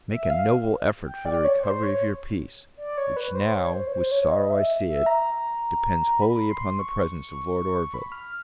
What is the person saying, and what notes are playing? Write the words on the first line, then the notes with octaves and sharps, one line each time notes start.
Make a noble effort for the recovery of your peace, which now, with sorrow I see it, depends wholly upon the presence of Lord Orville.
E5
F5
G5
D5
C#5
C5
C#5
D5
C#5
B4
C5
C#5
C5
C#5
C5
C#5
D#5
E5
E5
A#5
B5
C6
C#6
B5
F6